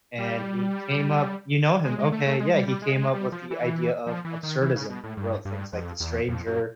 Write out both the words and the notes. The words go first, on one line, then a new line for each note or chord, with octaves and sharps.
and he came up You know him, okay? Yeah, he came up with the idea of absurdism, and he wrote things like The Stranger,
G3
G#3
G#3
A3
A3
G#3
G3
G3
G#3
G#3
G3
F3
E3
F3
E3
D#3
E3
C#3
B2
A2
G2
G2
F2
E2
F2
F#2